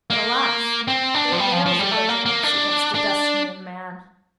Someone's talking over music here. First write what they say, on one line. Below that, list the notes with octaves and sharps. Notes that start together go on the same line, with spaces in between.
But, alas? what avails the vigilance against the Destiny of man?
A#3
C4
D4
F3
G3
F3
F3
G3
A3
A#3
A#3
D4
D4